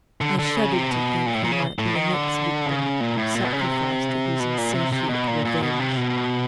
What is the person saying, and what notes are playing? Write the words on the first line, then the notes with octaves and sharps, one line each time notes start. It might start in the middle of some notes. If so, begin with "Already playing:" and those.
I shuddered to think who might be the next victim sacrificed to his insatiate revenge.
D3
D3
C#3
C3
B2
A#2
A2
A#2
C#3
A2
D#3
D3
C#3
A#2
A2
A#2
B2
C#3
C3
B2
A#2
C3
C3
B2
A#2
A#2
B2
C3
B2